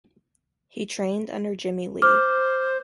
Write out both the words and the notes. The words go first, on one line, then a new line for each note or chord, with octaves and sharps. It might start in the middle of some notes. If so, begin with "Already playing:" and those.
He trained under Jimmie Lee.
C5 D6 F6